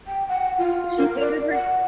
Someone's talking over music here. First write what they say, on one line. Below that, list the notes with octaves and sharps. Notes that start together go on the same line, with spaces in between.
She hated her s
G5
F#5
F4
A#4
D5
F#5